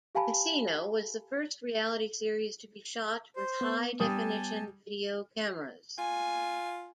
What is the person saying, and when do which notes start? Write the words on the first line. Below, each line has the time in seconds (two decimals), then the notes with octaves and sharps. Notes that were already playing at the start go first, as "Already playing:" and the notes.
"The Casino" was the first reality series to be shot with high-definition video cameras.
0.15 G4 F5 G#5 A5 B5
3.36 C5
3.61 B3
4.00 G3 G#5 A5 D#6
5.99 F4 G#5